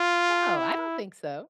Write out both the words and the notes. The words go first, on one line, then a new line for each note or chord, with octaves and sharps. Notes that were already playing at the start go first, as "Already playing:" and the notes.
No, I don't think so.
Already playing: F4
E4